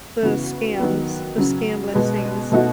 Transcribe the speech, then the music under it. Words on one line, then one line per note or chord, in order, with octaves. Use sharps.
the scams, the scam listings,
C#3 E3 B3 F#4
D#3 F#3 B3
C#3 F#3 C#4
B2 G#3 B3
B2 A3 D#4 F#4